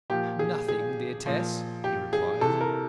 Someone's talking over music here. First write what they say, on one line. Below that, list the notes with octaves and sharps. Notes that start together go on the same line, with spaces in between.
"Nothing, dear Tess," he replied.
A#2 F3 G4
G#4
G#4
A#2 F3
G4
G#4
C3 E3 A4
A#4